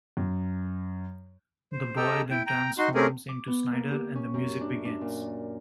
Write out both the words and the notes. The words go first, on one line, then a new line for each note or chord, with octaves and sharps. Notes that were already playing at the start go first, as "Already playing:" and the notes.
The boy then transforms into Snider and the music begins.
F#2
C5
G4 A4 D#5 G5 A#5 E6
E4 G5
G5 A#5
D#4 F#4 C6
A3 C4 C#4 G4 G#4 A#4
D6
B3
A#3
G4
C#4
F#2
D4
D4
A#2